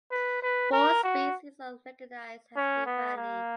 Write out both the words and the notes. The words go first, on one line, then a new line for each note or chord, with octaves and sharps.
Four species are recognized as being valid.
B4
B4
A#4
F#4
C#4
B3
A#3